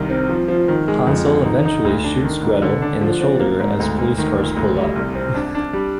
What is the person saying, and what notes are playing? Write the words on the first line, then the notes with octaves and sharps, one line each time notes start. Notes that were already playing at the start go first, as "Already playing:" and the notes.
Hansel eventually shoots Gretel in the shoulder as police cars pull up.
Already playing: C2 D#3
C4
F3
F3
D#3
G#3
F2
D3
D#4
D#4
D2
D4
D#3
G#2
D3
D4
F3
C4
A#3
G#2
D2
D2
D#3
A#1
D2
G3
C2
C4
D4
D4
G3